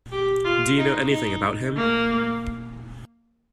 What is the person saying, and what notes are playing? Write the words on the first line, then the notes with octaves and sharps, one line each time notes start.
Do you know anything about him?
G4
F4
D#4
D#4
A#3